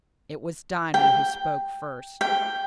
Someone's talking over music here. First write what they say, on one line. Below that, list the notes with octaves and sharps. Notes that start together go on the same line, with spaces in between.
It was Dinah who spoke first.
G5
G5